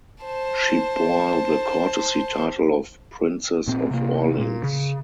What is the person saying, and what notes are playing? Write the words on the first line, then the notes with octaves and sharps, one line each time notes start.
She bore the courtesy title of Princess of Orleans.
C5 A5
A#2 C4
C3 A#3
A#2
C#3